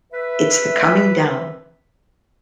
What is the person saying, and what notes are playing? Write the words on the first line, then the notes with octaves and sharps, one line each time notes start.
It's the coming down.
B4 E5